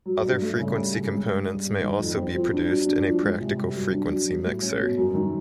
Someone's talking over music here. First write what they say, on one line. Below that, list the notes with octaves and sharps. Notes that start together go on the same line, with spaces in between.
Other frequency components may also be produced in a practical frequency mixer.
F#3
G2
A3
C#3
G3
C#3
G#3
G2
G3
G2
D#3
F2
C4
F3
D4
F#3
D4
F3
G#3
C3
G3
F#2
D4
F#3
G3
A2
C#4
B2
F#2
D#3